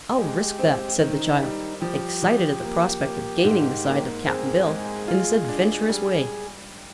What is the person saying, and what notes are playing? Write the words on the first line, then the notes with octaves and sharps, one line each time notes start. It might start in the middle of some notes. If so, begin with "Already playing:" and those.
"I'll risk that," said the child, excited at the prospect of gaining the side of Cap'n Bill in this adventurous way.
G#3 G4
C4
D#3 D#4
G3
F3 G4
F3
A#3
A#3
G#2
A#3
C4 G#4
G#3
F4
D4
G3